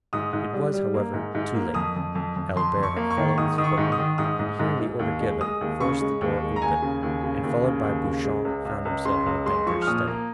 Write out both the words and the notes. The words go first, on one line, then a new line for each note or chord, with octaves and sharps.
It was, however, too late; Albert had followed the footman, and, hearing the order given, forced the door open, and followed by Beauchamp found himself in the banker's study.
G#2 D#6
G#2
G3
G3
A#3
G#2
G#2
A#3
F2 D#6
F2
F2
F2
F2 C6
F2
C#6
A#3
C#6
D#3
G#2 D#6
D#3 D#6
C#6
G#2
D#6
D#3
G#2 D#6
G#2
G#2
G#2
D#2
G#3
G#3 D#6
D#2
C#3 C#6
G#3
D#2
G#3
A#5
D#2 G#5
C#3
D#2
C#3
D#2
C#3
D#2
C#3
G#3
C#2
C#2
C#2
C#3 C6
C#2
G#3 C6
F3 C#6
F6
A#2 D#6
A#3